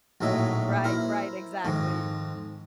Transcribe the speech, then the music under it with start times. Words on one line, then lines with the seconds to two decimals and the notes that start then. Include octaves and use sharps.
Right, right, exactly.
0.21 A#1 A2 F#3 D#4 E5
0.84 E4 A#4 C5
1.65 F2 G#2 D#3